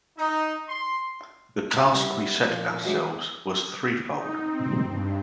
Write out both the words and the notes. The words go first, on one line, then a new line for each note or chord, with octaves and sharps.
The task we set ourselves was threefold.
D#4
C6
F5 F#5 G#5 A5 B5
G3 B3 E4
F2 A#2 F3
E3 F#3 G#3 D4
D#4
C4
G2